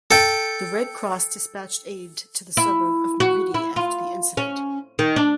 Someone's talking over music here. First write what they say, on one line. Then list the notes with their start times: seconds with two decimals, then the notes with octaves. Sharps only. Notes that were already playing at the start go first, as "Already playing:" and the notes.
The Red Cross dispatched aid to the suburb of Maridi after the incident.
0.11 A4 G5
2.57 E4
3.20 F#4
3.54 E4
3.76 F4
4.37 C#4
4.99 D#3
5.16 D4